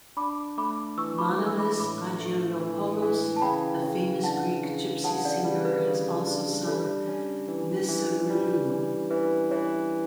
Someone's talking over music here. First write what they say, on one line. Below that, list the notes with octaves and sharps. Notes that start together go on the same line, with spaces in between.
Manolis Aggelopoulos the famous Greek Gypsy singer has also sung Misirlou.
D4 B5 D6
A3 B5 D6
E3 C#6 E6
B5 D6
A3
E6
B5 D6
A2 B5 D6
A3
E3
E3
A5
C#3 G5 B5
C#3
D4 F#5 A5
C#3
C#3 F#5 A5
D5 F#5
G3
B4
C#3
D4
G3 A4
C#4
E3
E3
G3
C#4
E3 B4
E3 C#5